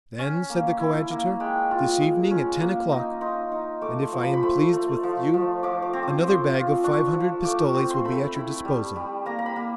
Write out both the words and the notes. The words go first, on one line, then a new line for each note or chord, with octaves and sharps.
"Then," said the coadjutor, "this evening, at ten o'clock, and if I am pleased with you another bag of five hundred pistoles will be at your disposal."
C#4
A#3
E4
A#3
G#3 G5
F4
G#3
C#4
A#3
D#4
D#4 C6
D#4
A3 D6
C6
F3
B5
B5
A3 C6
A3
F3
F3
F3 D6
D6
C4
D6
F3 C6
F4
D4 C#6
F3
A3 D6
C#6
C4
C6
A3 B5
E4
G3
G3
A#3 A#5
A#5
B5
A#3